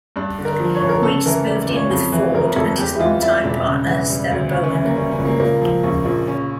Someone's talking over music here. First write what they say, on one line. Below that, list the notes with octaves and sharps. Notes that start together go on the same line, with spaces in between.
Rhys moved in with Ford and his longtime partner, Stella Bowen.
G2 D4
D3
A#4
F3
C#5
A1
A#4
C#3 A4
E3 A#4
G3 D5
D5
C#2
C#5
F2
E3
F1 A#4
F1 A4
E2 G4
E4
E3 F4
G3 E4
E1 D4
C#3
E3
G3
D2
C#3 C#4
C#4
E3 C#4
A#3
G3 C#4
C#4
C#2
A#3
A#2 A#3
F3
A#1 C#4
A#1 D4
C#3 C#4